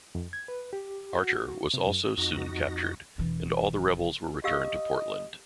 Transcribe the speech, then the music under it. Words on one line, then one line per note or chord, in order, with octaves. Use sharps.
"Archer" was also soon captured and all the rebels were returned to Portland.
F2
G#6
B4
G4
F#4
C3
F#2
F2 D#4 F#4 A#6
E1 E3
G4 D#5 F5 E6